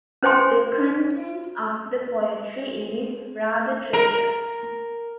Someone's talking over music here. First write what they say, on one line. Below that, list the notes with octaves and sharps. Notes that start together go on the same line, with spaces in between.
The content of the poetry is rather trivial.
C#4 C5 G5 G#5 C6
A#4